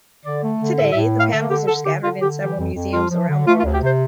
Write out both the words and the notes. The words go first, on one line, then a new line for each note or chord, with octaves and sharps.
Today the panels are scattered in several museums around the world.
D3 D5
A3
D3
A2 E5
E5
A2
A3 F5
D3 E5
D3 G4
D3 A4
D3 G4
D3 F4
D3 G4
E3 G4
F2
F2
F3 F4
F3
D3
A3 F4
F4
D2
G4
C3 C5